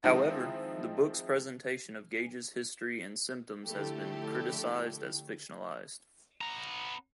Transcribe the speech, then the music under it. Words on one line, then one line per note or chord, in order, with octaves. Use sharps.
However, the book's presentation of Gage's history and symptoms has been criticized as fictionalized.
D#3 F3 G#3 C4 D#4 E4
D3 F3 A3 E4 G4 A4
B3 A#5